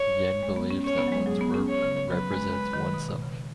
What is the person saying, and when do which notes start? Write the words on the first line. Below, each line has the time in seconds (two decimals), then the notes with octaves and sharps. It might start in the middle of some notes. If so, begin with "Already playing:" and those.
Yen believes that one’s work represents oneself.
Already playing: C#5
0.43 G#3
0.56 B3
0.71 C#4
0.84 C#4 C#5
0.98 B3
1.08 F#3
1.12 G#3
1.26 F#3 G#4
1.41 B3
1.54 C#4
1.69 C#5
1.83 C#3
2.10 F#3 B4
2.31 G#3
2.52 G#3
2.73 D#3
2.94 B2
3.08 B2
3.22 C#3